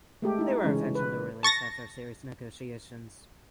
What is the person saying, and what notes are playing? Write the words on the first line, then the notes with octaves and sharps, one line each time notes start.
They were eventually released after series negotiations.
G#3 A3 G4
D#4 E4
C#3 E3 G#3 C#4
B4
A5 C#6 A6 A#6